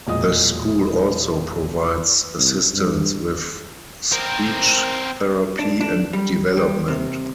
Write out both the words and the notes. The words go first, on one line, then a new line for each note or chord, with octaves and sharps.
The school also provides assistance with speech therapy and development.
E1 A#2 D#5 D#6
C2
G2
C4 A#4
D4
D4
G3
G3
C3